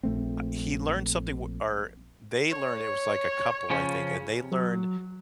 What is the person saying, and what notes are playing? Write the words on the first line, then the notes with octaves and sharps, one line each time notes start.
uh, he learned something w or they learned it was, like, a couple, I think, and they learned
A#1 A3 C4
C#5
C#3 F3 C#4
F#3